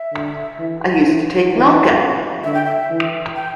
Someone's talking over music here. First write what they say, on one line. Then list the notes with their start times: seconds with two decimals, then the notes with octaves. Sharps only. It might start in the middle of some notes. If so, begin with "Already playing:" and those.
I used to take milk out.
Already playing: E5
0.12 D3
0.59 E3
1.04 E3
1.51 E3
2.44 D3 E5
2.54 G5
2.65 E5
2.90 E3
3.35 G5